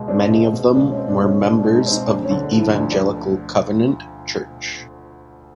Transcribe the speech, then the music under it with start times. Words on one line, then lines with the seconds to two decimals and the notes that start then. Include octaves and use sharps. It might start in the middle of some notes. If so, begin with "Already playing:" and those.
Many of them were members of the Evangelical Covenant Church.
Already playing: C#2 B2 G#3
0.08 C4 D4
0.31 C#2
0.53 B2
0.75 G#3 D4
0.92 C#4
0.97 C4
1.08 D4
1.19 C#2
1.25 C#4
1.42 B2 D4
1.59 D4
1.64 G#3
1.75 D#4
1.86 C4
1.91 D#4
2.08 D2 D4
2.25 C#4
2.31 D3
2.42 D4
2.53 F3
2.58 E4
2.75 D2 D4
2.92 D4